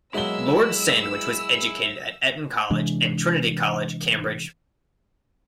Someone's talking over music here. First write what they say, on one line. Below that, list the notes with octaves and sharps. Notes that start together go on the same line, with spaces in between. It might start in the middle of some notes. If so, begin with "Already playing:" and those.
Lord Sandwich was educated at Eton College and Trinity College, Cambridge.
B2 F#3 G#3 A#3 E4 E6 G7
C3 E3 G#3 D4